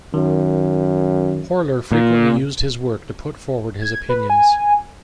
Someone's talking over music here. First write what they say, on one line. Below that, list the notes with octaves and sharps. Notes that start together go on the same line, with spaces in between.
Horler frequently used his work to put forward his opinions.
F#2 D#3
A#2
G#6
B4
G#5